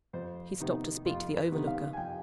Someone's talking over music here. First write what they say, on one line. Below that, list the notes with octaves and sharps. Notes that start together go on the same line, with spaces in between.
He stopped to speak to the overlooker.
F2 C5
C3 D#3 B3 D#4
F2 F4
B4
C3 D#3 B3 D#4
F5
G#5
F2 G5